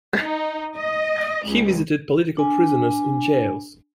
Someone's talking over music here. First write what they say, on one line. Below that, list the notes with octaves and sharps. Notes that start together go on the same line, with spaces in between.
He visited political prisoners in jails.
D#4
D#5
C#2
D4 G#5